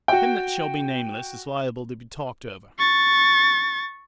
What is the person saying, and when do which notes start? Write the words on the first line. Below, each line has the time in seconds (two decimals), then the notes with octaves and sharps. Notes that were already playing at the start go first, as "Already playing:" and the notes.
Him that shall be nameless is liable to be talked over.
0.08 F#4 G5
2.79 C#6 A6